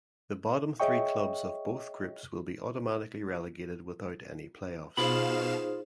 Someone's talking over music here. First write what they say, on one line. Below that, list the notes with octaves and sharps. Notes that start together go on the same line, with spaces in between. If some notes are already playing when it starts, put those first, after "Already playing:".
The bottom three clubs of both groups will be automatically relegated without any playoffs.
G#4 C#5 D#5 E5 G5 C#6
B2 D#4 F4 G#4 C5 F5 B5 E7